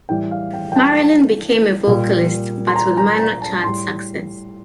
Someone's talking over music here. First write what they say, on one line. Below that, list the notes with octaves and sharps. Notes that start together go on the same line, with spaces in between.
Marilyn became a vocalist, but with minor chart success.
A2 E3 G3 G5
F5
G5
G5
A5
A#2 G3
C6
A#5
A#5
A#5
A5
A2 G3 C6